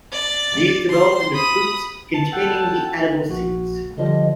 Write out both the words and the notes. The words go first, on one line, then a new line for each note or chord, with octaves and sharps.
These develop into fruits containing the edible seeds.
D5 A6
C5 C6
B5 D#6
A5
A4 F#5 G5
A#1 F#4
D3 F3 G3 D#5